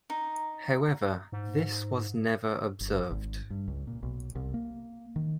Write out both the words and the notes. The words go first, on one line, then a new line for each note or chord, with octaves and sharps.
However, this was never observed.
D#4
G#2
G1
G#1
G2
C#2
A#2
B1
C2
A#3
D#3